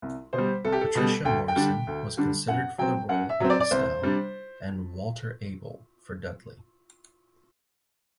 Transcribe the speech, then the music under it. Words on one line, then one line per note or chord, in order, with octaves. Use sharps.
Patricia Morison was considered for the role of Estelle, and Walter Abel for Dudley.
C2
B2 C5
G3
C2 A4
G4
A4
B2 G3
D2 G5
G5
D3 G3 D4
D2
D3 G3 D4
F#2 F#5
F#3 C4 G5
F#2 F#5
E5
F#3 C4
D5
D5
C2 C5
C3 G3 D4